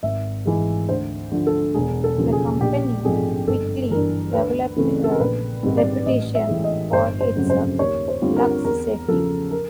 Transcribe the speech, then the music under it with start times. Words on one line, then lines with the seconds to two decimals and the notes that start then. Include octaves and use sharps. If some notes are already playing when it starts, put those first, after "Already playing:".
The company quickly developed a reputation for its lax safety.
0.03 G#1 E5
0.45 G#2 E3 G#3
0.89 D2 C5
1.32 D3 F3
1.47 A4
1.74 E1 G#4
2.04 A4
2.18 D#2 C#3 F3
2.33 G#4
2.61 A#1 G4
3.04 G#2 F3 A3 C4 G#4
3.47 G1 A4
3.90 G2 E3 A#4
4.34 D2 B4
4.76 C#3 E3 A3 C4
5.04 A4
5.12 A#4
5.20 A#1 B4
5.63 G#2 D#3 G3 C4
5.77 D5
6.06 A1 D#5
6.35 E5
6.49 A2 E3 G#3
6.64 D#5
6.92 G1 C5
7.21 C5
7.36 F2 C#3 F#3
7.50 C5
7.79 D#2 C#5
8.08 C5
8.22 D3 G3 C4 F4
8.36 A#4
8.64 E2 A#4
9.08 C#3 F3 A4
9.51 A#4